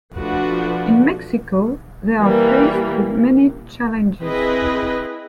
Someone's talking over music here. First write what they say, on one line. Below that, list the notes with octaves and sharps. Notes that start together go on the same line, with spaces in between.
In Mexico, they are faced with many challenges.
F3 A3 D4 F#4 B4
E3 G3 A#3
C4 E4 G#4 B4 D#5